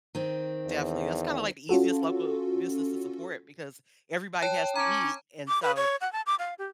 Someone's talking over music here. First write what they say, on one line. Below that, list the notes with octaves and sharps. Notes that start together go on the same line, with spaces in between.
definitely. That's kinda, like, the easiest local business to support because everybody has to eat, and so,
D#3 C4
E2
C#4 F4 F#4 A4
C#5 G5 A5
C#4 A5 A#5 D6
D6
B4
C#5
F#5
A5
D6
F5
G4